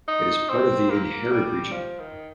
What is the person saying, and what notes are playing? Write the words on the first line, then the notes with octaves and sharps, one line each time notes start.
It is part of the Innherred region.
D#4
C4
A#3
G3
F3
D#3